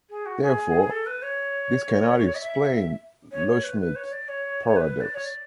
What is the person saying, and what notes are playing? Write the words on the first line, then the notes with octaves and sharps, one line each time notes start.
Therefore, this cannot explain Loschmidt's paradox.
G#4
F#4
G#4
A4
B4
C#5
E5
C#5
C#5
B4
B4
C#5
D5
C#5
C#5
B4
D5
C#5
D5